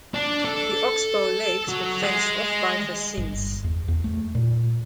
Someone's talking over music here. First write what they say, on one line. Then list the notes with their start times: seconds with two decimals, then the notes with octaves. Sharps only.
The oxbow lakes were fenced off by fascines.
0.14 D4
0.45 A4
1.69 F#3
2.02 G#3
3.17 G1
3.64 E2
3.88 E2
4.04 A3
4.35 A#2